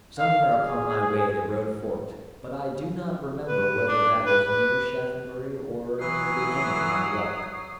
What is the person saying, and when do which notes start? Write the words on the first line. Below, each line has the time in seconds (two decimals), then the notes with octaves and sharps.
Somewhere upon my way the road forked, but I do not remember whether that was near Shaphambury or near the end of my walk.
0.18 F5
0.50 G#4
3.48 B4
3.88 D4
4.26 B4
4.45 B4
6.01 E3 F#3 D#6 C7